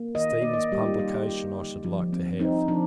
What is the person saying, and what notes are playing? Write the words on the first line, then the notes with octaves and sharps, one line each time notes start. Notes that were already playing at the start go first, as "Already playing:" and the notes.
Stephens's publication I should like to have.
Already playing: A#3
D#3 D#5
A#3 D5
D#5
G3 G4
D#4
F4
G3 G4
G4
G3 F4
D3
F3
C4
C4 D#4
F3 D4